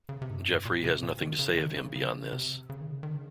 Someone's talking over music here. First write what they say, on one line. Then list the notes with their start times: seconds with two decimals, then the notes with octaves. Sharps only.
Geoffrey has nothing to say of him beyond this.
0.09 C#3
0.22 C3
0.30 G#2
0.35 F#2
0.46 G#2
0.65 A#2
0.84 C3
1.03 A#2
1.21 D#3
1.39 C#3
1.58 D#3
1.77 C#3
1.96 C#3
2.33 C3
2.70 C#3
2.81 D#3
2.92 C#3
3.03 D#3
3.14 C#3